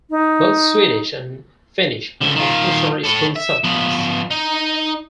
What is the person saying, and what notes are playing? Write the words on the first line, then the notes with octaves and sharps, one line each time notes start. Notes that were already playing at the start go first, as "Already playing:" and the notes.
Both Swedish and Finnish are compulsory school subjects.
D#4
C#2 D3
D#3 F4
A4 C#5
E5
F3 B3
D#4